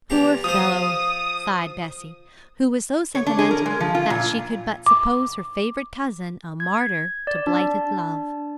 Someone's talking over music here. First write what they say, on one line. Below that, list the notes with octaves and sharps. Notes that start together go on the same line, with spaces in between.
'Poor fellow!' sighed Bessie, who was so sentimental that she could but suppose her favourite cousin a martyr to blighted love.
E2 G4 A#5
F3 C5 D#6
C#5
D4
G#4
A#4
G#3
F3
F4
A#2
D6
G#6
D5
D4